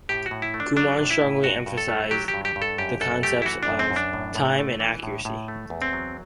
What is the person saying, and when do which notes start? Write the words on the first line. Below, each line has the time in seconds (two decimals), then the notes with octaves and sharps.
Kumon strongly emphasised the concepts of "time" and "accuracy".
0.09 A2 G4
0.26 F#4
0.31 A2
0.42 E4
0.54 A3
0.60 D4
0.76 F#3 D4
0.98 A2
1.11 E4
1.21 A2
1.44 G2 F#4
1.66 G2
1.78 A4
1.88 A3
2.11 F#3 G4
2.28 G4
2.34 G2
2.45 G4
2.56 G2
2.62 A4
2.78 F#2 G4
3.01 F#2 A4
3.23 A3 G4
3.42 E4
3.45 E3 F#4
3.63 D4
3.68 F#2
3.79 C4
3.90 F#2
3.96 D4
4.13 A2
4.35 A2
4.59 A3
4.80 E3
5.03 A2
5.25 A2
5.48 A3
5.70 E2
5.82 C4
5.93 F#3